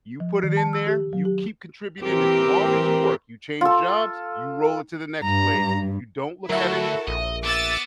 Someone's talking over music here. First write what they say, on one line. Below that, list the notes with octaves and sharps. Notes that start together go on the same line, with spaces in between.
you put it in there, you keep contributing as long as you work. You change jobs, you roll it to the next place. You don't look at it.
F3
D#3
A5
E6
G4
F#3
G4
E3 C4 G4 A#4
F4 A4
G2 A#5
D2 F#3 E4 F#4 A4 A#4 E5
A#1 D#5
B3 D6 E6 A6